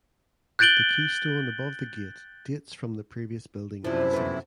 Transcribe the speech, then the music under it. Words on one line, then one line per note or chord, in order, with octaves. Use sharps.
The keystone above the gate dates from the previous building at the site.
F#6 G6 A6 D7 F#7 G7
F#2 C3 F3 D4 E4
F2 B3